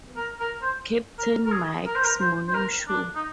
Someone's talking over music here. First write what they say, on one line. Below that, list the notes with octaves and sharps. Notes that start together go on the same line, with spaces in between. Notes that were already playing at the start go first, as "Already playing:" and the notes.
Captain Mike's morning show.
A#4
A#4
C5
A#4
A#4
G#4
A#4
C5
A#4
C5
C5
A#4
D4
D#4